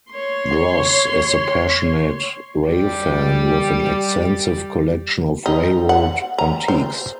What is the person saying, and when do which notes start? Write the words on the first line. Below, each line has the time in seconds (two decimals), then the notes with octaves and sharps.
Gross is a passionate railfan with an extensive collection of railroad antiques.
0.12 C#5 C6
2.68 G3 G4 D5
5.46 D#4
5.89 F#5
6.38 A#5
6.68 C5